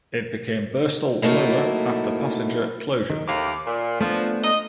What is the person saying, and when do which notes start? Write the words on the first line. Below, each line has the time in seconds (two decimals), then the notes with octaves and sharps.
It became Birstall Lower after passenger closure.
1.22 F#3 A3 A#3 D#4 E4
3.10 D#3
3.28 D#2 A3 A#3 D6
3.67 A#2
4.01 F3 A3 B3 D4
4.43 D#5